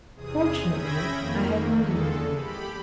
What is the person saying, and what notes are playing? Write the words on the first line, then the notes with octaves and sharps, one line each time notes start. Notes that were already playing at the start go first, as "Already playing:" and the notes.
Fortunately I had money with me.
E2 C3 G#4 D#6
C#4 E5 G5 B5 G#6 A#6
F2 D#3 A#3
E2 G#3 A4
G4 B5